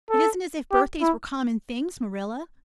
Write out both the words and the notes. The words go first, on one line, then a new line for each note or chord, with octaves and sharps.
It isn't as if birthdays were common things, Marilla.
A4
G4
E4